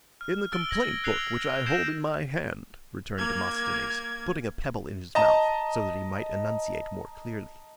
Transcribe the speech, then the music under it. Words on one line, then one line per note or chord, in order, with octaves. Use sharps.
"In the complaint-book, which I hold in my hand," returned Demosthenes, putting a pebble in his mouth so that he might enunciate more clearly.
F6
E6 A6 D7 G7
G#6 A#6 F#7
F#6 G#6 C7 D7 F7 G7
G6 G#6 A#6 C7 D7 E7
A#3 G#6
D#5 A5 A#5